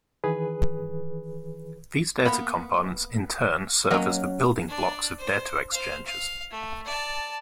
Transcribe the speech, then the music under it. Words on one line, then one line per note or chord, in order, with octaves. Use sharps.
These data components in turn serve as the "building blocks" of data exchanges.
D#3 E3 G#4 B4
A#3 B3 B5
F#3 A#3 C#4 D#5
D4 D5
C5
C5 F5
F5
A3
D5 A5